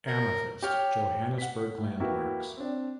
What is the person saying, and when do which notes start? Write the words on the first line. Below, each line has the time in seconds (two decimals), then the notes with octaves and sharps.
Amethyst: Johannesburg Landmarks.
0.07 A#4
0.63 G4 C#5 G5 F6
1.38 F#5 B6
1.78 A2
2.00 A#3 E4 F#4 G4 A#4 B4
2.57 C4 D4